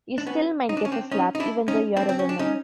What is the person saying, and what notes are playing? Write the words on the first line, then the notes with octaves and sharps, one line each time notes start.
You still might get a slap even though you're a woman.
D4
B3 C#4
D#4
D4
C#4
C4 D4
C#4 D#4
D#4
D4 E4
C#4 D#4
C4 D4
C4
C#4
D4
C#4 D#4